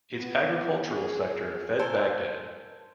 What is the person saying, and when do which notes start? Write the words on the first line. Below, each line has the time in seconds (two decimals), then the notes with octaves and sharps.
Its agricultural sector fed Baghdad.
0.18 B3
0.91 G#4
1.79 A4 A#4 C5 G#5